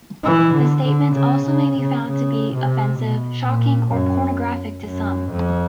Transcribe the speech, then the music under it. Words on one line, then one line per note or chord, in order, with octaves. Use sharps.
The statements also may be found to be offensive, shocking, or pornographic to some.
E3
D3
D3
C#3
C#3
C#3
C#3
C3
B2
A#2
F#2
F#2
F2